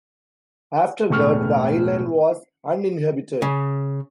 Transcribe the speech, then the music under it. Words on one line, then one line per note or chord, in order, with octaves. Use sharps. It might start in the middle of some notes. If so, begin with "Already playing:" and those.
After that, the island was uninhabited.
E1 A2 C#6 F6
C#3